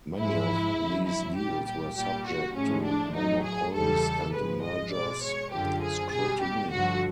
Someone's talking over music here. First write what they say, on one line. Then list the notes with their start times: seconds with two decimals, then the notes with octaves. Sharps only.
Many of these deals were subject to Monopolies and Mergers scrutiny.
0.18 G#2 F3 G#3 E4
0.77 F2 D3 F#3
1.06 E4
1.36 A#2 G3 G4
1.65 G4
1.95 A#2 G3 G4
2.25 F#4
2.55 A2 F3 G#3 C#4
2.85 D4
3.14 A2 F#3 D#4
3.44 G#4
3.74 E2 C#3 E3 G3 A4
4.32 G#2 F3 G#3 B4
4.62 D#5
4.92 B2 G#3 D5
5.22 C#5
5.51 F#2 D3 F3 G4
5.82 G#4
6.11 B2 G3 G#4
6.41 G4
6.70 G2 D3 F3 F#4